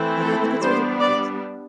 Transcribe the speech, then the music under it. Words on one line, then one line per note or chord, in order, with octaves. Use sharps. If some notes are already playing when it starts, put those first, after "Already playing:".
but I think it serves a purpose.
Already playing: E3 A3 C4 E4
A4
G3 B3 D4 C5
D5